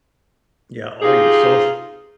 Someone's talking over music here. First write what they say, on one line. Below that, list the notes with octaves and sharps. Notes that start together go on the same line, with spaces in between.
yeah, all your soc
D#4 F4 G4 G#4